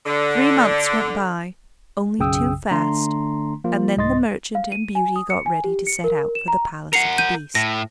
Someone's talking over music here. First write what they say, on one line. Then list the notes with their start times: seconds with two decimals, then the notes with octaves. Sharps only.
Three months went by, only too fast, and then the merchant and Beauty got ready to set out for the palace of the beast.
0.06 D3
2.19 B1 F#2 C#3 G5 D#6 E6
2.71 D3 A3 D4 A#5 C6
3.64 F3 A#3 F4
3.97 C2 G#2 D#5 C6 A6
4.55 F5
4.72 D#7
4.95 G#5
5.16 D#6
5.30 C#7
5.46 G#5
5.64 G4
5.87 C#7
6.04 A#4
6.35 E7
6.48 A#5
6.93 A#4 F#5 C7 C#7 F7
7.18 G6 D#7
7.55 A2 A#6